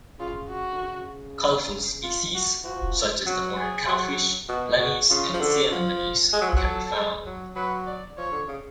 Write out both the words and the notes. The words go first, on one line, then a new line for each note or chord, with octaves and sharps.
Colorful species such as the ornate cowfish, blennies, and sea anemones can be found.
C#3 F4
F#4
D3
C#3
F4
F#4
F3 F#4
F#3 F#4
G#4
F#3
B2 F#4
F#4
C#3 F4
F3
D3 F#4
F3
G#3 G#4
F#3
F3
F#3
A4
G#3
F#3
F#3 B4
D5
F3 C#5
D3
C#3